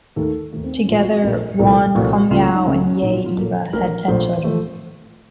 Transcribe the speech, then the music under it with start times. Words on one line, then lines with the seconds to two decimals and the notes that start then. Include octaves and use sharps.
Together Won Cumyow and Ye Eva had ten children.
0.16 D#2 D#3 A3 A4
0.53 D#2 D#3 A3
0.64 C4
0.77 C#4
0.88 A#1 A#2 F3 A3 F4
1.00 F#4
1.11 F#4
1.24 A#1 A#2 F3 A3 A#4
1.59 C2 A#2 F3 A3 A4
1.95 C2 A#2 F3 A3 F#4
2.30 C#2 C#3 A3 F4
2.43 F4
2.54 D#4
2.66 C#2 C#3 A3 C#4
2.78 C#4
2.89 C#4
3.02 A#1 A#2 F#3 A#3 D#4
3.13 F4
3.26 F4
3.37 A#1 A#2 F#3 A#3 A4
3.73 A#1 A#2 A3 A#4
4.08 A#1 A#2 A3 C5
4.44 F3 A3